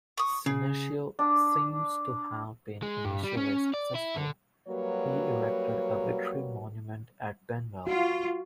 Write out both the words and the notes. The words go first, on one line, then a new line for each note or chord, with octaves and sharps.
Senecio seems to have been initially successful; he erected a victory monument at Benwell.
C#6 D#6
C#3 G#4
D4
G#3
G2
G3
C#4
D5
E4
D3
F#3 G3 A#3 F#4 B4 C#5
F4 F#4